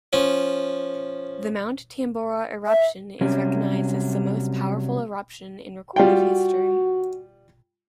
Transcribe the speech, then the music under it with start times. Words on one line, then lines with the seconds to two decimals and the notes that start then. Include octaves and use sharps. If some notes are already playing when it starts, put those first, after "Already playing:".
The Mount Tambora eruption is recognized as the most powerful eruption in recorded history.
0.13 F3 C#4
2.66 E5
3.21 C3 F#3 G3 C#4
5.96 G3 F4 F#4 G5